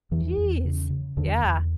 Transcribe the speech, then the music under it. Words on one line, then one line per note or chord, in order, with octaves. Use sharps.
Jeez, yeah.
E2 E3
E2
C#3
C#3
E2 D3
E2